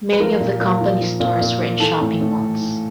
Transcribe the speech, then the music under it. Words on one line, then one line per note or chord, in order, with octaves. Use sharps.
Many of the company's stores were in shopping malls.
B4
F3 A#4
A#2
A#2
F3
F3
A#2
A#2
F3
E3 A4
A2
A2
E3
E3